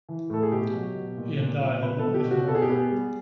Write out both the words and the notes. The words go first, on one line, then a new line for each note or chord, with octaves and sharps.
He and Dyer did not get along.
E3
A2 A4
G#4
B2 G4
F#3
B2
A#2
A#2
F3
B2 B4
B3 A4
G4
B2
F#4
B3 A4
G#4
G4
B3 G#4
G3